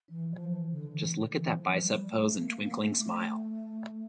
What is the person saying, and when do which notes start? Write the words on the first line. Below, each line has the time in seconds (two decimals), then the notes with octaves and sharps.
Just look at that bicep pose and twinkling smile.
0.10 E3
0.30 F3
0.51 E3
0.71 D3
0.93 E3
1.13 D3
1.34 E3
1.54 F3
1.83 G3
2.09 A3
2.38 A#3
2.58 A#3
2.79 A3
2.99 A3